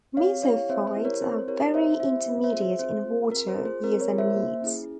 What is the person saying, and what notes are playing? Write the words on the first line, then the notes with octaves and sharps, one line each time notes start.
Mesophytes are very intermediate in water use and needs.
C4 C#5 F5
E4 G4 C#5 F5
C4 C5 E5
C5
E4 G4
A#4 C#5
C4 C5
E4 G4 A#4 C#5
C4 C5 E5
E4 G4 C5 E5
C4
C5 E5
F4 G#4
C5 E5
C4 C5
F4 G#4
C4 A#4
C5
F4 G#4
C5
C4 A#4
A#4 C#5
F4 G#4
C5 E5
A#3
C#4 E4 G#4